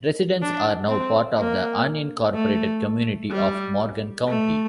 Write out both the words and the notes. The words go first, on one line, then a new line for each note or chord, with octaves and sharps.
Residents are now part of the unincorporated community of Morgan County.
D4
C4
A#3
A3
G3
A3